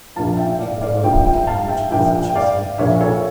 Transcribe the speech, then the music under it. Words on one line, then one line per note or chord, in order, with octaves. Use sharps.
He grew up in Cambridge, Massachusetts.
A#1 A#2 F3 F5 A5
E5 G5
D5 F5
D5 F5
A#1 A#2 F3 E5 G5
E5 G5
F5 A5
E5 G5
A#1 A#2 F3 E5 G5
G5
D5 F5
A#1 A#2 F3 C#5 E5
A4 C#5